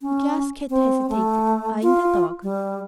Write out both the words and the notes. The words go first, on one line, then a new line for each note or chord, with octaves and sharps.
The Glass Cat hesitated, eyeing the dog.
C#4
C4
A3
F4
G3